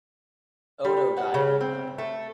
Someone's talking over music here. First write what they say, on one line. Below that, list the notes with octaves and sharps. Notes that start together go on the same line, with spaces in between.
Odo died in the battle.
G3
F#5
C#3
C4
A3